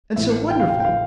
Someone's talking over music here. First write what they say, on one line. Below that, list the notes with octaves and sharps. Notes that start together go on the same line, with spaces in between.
And so wonderful!
A1 A2 F3 E5
G5
F5
G5
G5
A2 F3 F5